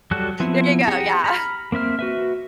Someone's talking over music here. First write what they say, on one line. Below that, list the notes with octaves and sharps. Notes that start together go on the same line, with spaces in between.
There you go, yeah.
F#3 G3 F#4 A4 F#6
F3 B3 C4 E4
G4 G#4 F#5 A#5
A#5 B5 F6
A#3 C4 E5 F6
F#4 B4 E5